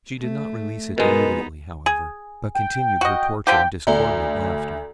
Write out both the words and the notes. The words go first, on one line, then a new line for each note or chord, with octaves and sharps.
She did not release it immediately however, but continued her torture and discordant laughter.
A3
B2 G#3 B3 D#4 A#4
G#4
G5
F#4 D#5
D3 F3 G4 G5
D2 A4 D5 A#5